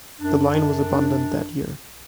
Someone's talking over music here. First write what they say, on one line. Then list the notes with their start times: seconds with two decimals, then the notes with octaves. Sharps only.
The line was abandoned that year.
0.20 F#2 D4